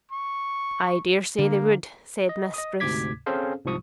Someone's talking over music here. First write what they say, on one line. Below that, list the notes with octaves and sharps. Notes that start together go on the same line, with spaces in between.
"I dare say they would," said Miss Spruce.
C#6
D3 A#3
D#5
D#5 D#6
D2 G#2 C3 D6 G#6 B6
C4 C#4 G#4 A4 C5 F5
C2 G#2 C3 F3 C#6 D#6